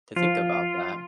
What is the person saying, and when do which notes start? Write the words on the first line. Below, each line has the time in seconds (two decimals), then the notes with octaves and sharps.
to think about that.
0.16 F3 F4